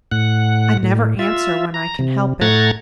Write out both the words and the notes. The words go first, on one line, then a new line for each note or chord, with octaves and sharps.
I never answer when I can help it.
A2 F#5
A2
F4 E5
A#5
C3
A2 A3 F#5 A#5 G#6 A6